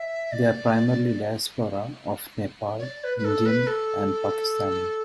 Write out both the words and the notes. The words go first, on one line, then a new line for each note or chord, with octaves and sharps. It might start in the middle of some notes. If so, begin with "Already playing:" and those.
They are primarily disapora of Nepal, Indian and Pakistani.
Already playing: E5
D5
C#5
D5
B4
B4
A4
B4
A4